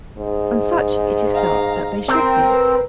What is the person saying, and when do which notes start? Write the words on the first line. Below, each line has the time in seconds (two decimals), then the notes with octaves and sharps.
And such it is felt that they should be.
0.18 G#2
1.33 F5 A#5
2.08 C4 A#4
2.50 B4